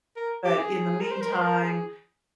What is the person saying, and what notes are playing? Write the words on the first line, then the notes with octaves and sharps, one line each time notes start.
but in the meantime,
A#4
G4
G#4
A#4
C5
A#4
C5
A#4
G#4